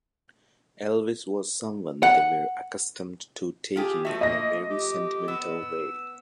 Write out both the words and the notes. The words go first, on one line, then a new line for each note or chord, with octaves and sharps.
Elvis was someone they were accustomed to taking in a very sentimental way.
F#5
F4 G4 G#4
F3 A3 F#4 E5
A#3 D#5 A#6
G4
B3 E6